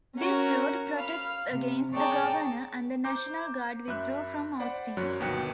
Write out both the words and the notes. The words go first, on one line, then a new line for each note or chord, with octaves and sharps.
This brought protests against the governor, and the National Guard withdrew from Austin.
C#4 F#4 A#4
F5 B5 F6
C3
G#4 C#5 D5 G5 A5 A#5
C5 A#5 D6 G6
F#2 E5 B5 F#6
C5 D5 F#5 B5
F#2 F#3 C#5 F#6
G1 D#2 B2 G5 F#6 C#7